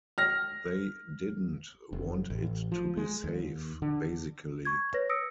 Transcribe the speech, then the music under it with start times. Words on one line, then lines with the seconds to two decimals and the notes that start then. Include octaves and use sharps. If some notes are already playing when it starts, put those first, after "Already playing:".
They didn't want it to be safe, basically.
0.18 F6 A#6
1.93 F1
2.30 A1
2.72 F3
2.97 G#3
3.24 D#2
3.82 D3
4.65 C#6 G#6
4.94 B4 C#5 A#6
5.09 D#6 E6 A#6 C#7 D7